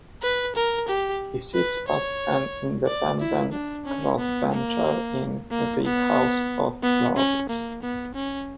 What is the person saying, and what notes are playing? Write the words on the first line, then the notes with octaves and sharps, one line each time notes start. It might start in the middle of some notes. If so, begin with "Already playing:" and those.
He sits as an independent crossbencher in the House of Lords.
B4
A#4
G4
B4
C#5
D5
E4
D4
C#4
B3
A#3
A#3
B3
B3
C#4
A#3
B3
C#4